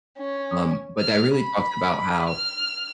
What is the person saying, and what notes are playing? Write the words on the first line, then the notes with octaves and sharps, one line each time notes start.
Um, but that really talks about how,
C#4
F6
B5
F6